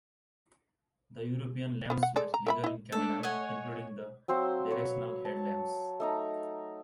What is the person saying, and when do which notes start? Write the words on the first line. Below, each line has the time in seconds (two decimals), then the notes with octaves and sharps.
The European lamps were legal in Canada, including the directional headlamps.
1.90 F3 B3
2.03 F#5
2.16 G#3 A4 D5
2.34 A#5
2.47 A#4 E5 B5
2.64 E4 D#5
2.92 A3 D4 A4
3.23 C#5 D#5 F#5 G#5
4.28 F#3 C4 C5 F5
4.71 B4 C#5
5.25 A5
6.00 A3 D#4 A#5